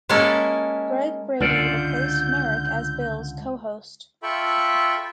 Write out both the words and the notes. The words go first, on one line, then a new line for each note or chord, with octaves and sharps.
Greg Brady replaced Marek as Bill's co-host.
G#3 A#3 C#4 E4 G#4 A4
C#2 D3 F4 D5 G6
F4 A4 E5 G5 B5 C#6